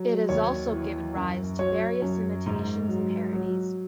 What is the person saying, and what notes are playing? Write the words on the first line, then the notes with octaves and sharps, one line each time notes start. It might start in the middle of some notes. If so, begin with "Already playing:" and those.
It has also given rise to various imitations and parodies.
Already playing: F#3
D#2 C#5
E3
F#2
F#3 C#5
F#2
G#2
F#3
F#3